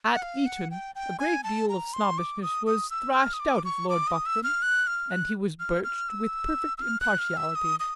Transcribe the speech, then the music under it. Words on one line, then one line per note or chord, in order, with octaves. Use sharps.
At Eton, a great deal of Snobbishness was thrashed out of Lord Buckram, and he was birched with perfect impartiality.
F#5
F5
F#5
G5
G5
G#5
A5
A#5
C6
D6
D#6
D#6
E6
F6
D#6
D6
C#6
D6
D#6
E6
F6
F#6
F6
F#6
F6
F6
E6
E6
F6
F#6
F6
E6
D#6
D#6